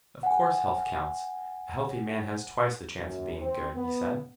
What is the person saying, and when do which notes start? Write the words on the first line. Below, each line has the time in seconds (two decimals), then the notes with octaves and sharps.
"Of course health counts--a healthy man has twice the chance of being good," he said.
0.23 F#5 G#5
2.97 F#2
3.41 C4
3.76 B3